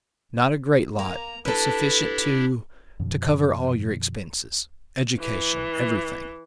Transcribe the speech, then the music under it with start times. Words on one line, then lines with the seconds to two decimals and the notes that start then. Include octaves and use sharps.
Not a great lot--but sufficient to--to cover all your expenses. Education--everything.
0.99 A#3 A#5
1.45 D4 E4 G4 A4 B4
2.99 F#2 B2 D#3 F3
5.20 E3